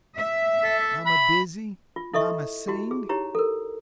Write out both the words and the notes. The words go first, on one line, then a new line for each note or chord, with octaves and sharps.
"Mama busy; mama sing."
E5
A4
B5
F4
E4 A4 D#5 E5 C#6
E4 F#4 G4
G#4
D#4 E4 G4 C#5 A#5
A4 A#4